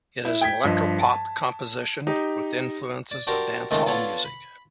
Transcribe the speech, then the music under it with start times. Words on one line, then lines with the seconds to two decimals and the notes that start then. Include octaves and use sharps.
It is an electropop composition with influences of dancehall music.
0.25 E4
0.41 G5 G#6 B6
0.64 G2 F3 D#5
0.99 A5
2.07 D#4 G4
3.11 D5
3.27 D4 F#4 G4 A#4 C5
3.71 C#2 D#3 G#3 A3 C4
3.86 B3 D4 F4 A4 C#5 F#5
4.25 B5